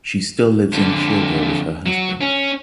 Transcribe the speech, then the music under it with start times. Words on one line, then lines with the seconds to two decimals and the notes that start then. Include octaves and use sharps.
She still lives in Schilda with her husband.
0.73 F2 D3
1.86 F#3
2.21 C#4